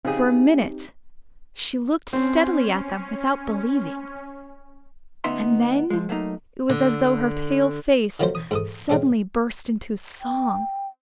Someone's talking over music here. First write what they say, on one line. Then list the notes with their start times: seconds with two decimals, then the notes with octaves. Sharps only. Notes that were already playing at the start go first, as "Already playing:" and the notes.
For a minute she looked steadily at them without believing, and then it was as though her pale face suddenly burst into song.
0.05 C#3 C4 D#4 G4 G#4
2.13 C4 C#4
5.24 D2 B3 C#4 D#4 E5 C6
5.90 F3 G#3
6.09 F#3 A3 A#3 D#4
6.70 D3
8.20 D#3 F3 F#3 A3 C#4 C5
8.35 D#6
8.51 G#2 A4 D#6
8.90 C#3 G#3 C4 C#4
10.21 G5